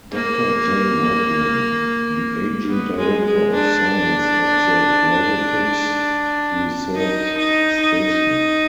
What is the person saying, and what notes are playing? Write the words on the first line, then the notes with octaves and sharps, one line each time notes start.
Doctor Jane Webling: The aging Director of Science at the Gravitics Research Station.
A#3
B3
G#3
G#3
D4
D#4
D#4
D#4